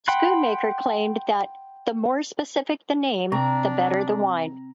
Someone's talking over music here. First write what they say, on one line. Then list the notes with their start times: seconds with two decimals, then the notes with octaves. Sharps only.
Schoonmaker claimed that "the more specific the name, the better the wine".
0.08 F#5 G5 B5 C6 F#6
3.32 C3 C4 D4 G5 A#5